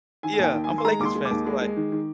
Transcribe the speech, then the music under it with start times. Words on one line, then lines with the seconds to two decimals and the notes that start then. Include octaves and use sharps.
fan. Yeah, I'm a Lakers fan, so like
0.23 D#3 G#5
0.34 G#5
0.39 D#2
0.44 G5
0.54 D#3
0.64 G#5
0.70 D#3
0.78 C6
0.85 G#3 A#5
0.99 D#2 D6
1.05 C6
1.16 G#3
1.25 D6
1.31 D#2
1.46 G#3
1.61 G#3
1.77 D#3
1.92 D#3